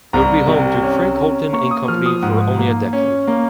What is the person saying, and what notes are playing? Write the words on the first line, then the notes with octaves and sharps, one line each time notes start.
It would be home to Frank Holton and Company for only a decade.
C2 A#5
C3
C#4
C#4
A#3 C#6
D#6
F3 F6
D#6
G#2
A#3
C#4
A#3